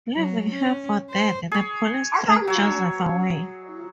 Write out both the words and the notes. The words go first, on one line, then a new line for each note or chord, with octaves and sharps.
Leaving her for dead, the police drag Joseph away.
F#3
C#4
C5
G#4 C#5
F#3 C#5